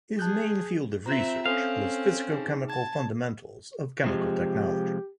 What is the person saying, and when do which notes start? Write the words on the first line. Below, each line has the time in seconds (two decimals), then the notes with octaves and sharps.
His main field of research was physicochemical fundamentals of chemical technology.
0.19 G#4 A5 F#6 G6
1.06 C4 F4 E5 A#5
1.46 C4 C#4 A4 F5
2.32 D#4 G#4
2.70 A5 G#6
4.04 C3 F3 G#3 G4